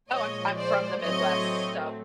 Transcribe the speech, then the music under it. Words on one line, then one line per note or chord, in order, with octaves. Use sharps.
Oh, I'm I'm from the Midwest, so
A#2 F3 G#3 C#5 D#5
C5 D5
A2 F#3 A3 C4 C#5 D#5